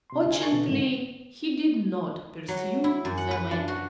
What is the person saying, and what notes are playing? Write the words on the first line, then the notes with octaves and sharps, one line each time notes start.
Unfortunately he did not pursue the matter....
C3 C6
D2 C#3 G#5
G#4 A#4 G#5 A5 C#6
B2 D3 E3
C2 G#2 D3 D#3
F#3
E4
F#2
F#5
B4
D4
F#4